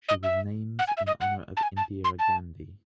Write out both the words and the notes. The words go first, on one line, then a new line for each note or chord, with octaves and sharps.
She was names in honor of Indira Gandhi.
D#5
E5
F#5
G#5
E5
D#5
F#5
A5
G#5
A5
C6
A5